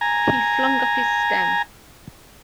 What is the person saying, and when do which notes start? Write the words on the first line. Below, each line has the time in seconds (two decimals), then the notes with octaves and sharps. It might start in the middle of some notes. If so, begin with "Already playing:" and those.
He flung up his stem.
0.01 G#5 A#5